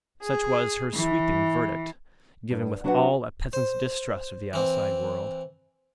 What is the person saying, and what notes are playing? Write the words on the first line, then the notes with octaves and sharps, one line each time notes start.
Such was her sweeping verdict, given with all a peasant’s distrust of the outside world.
G#4
E3
G2
F#3 D4 F#4 B4 E5 F#5
C5
E3 C4